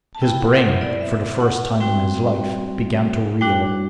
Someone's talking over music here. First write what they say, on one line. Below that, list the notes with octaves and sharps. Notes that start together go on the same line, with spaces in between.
His brain, for the first time in his life, began to reel.
A5
B3 E4 G5
F#5
F#5
D5
E5
F#5
G3 C4 F#4 G5
G3 D4 F#4 G5